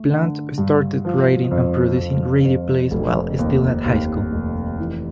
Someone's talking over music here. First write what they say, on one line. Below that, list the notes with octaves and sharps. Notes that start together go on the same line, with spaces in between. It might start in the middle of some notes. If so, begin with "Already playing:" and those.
Plant started writing and producing radio plays while still at high school.
Already playing: A3
D3
G2
F3
F2
F2
F2
F1
D#2
D#2
F1
E3